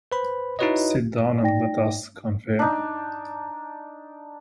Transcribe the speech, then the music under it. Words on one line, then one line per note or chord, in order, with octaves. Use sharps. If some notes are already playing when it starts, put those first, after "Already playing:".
Sit down and let us confer.
B4 C5 B5
D#4 E4 F#4 B4 C#5 D#5
D#4 D5 G5 A#6
D4 D#4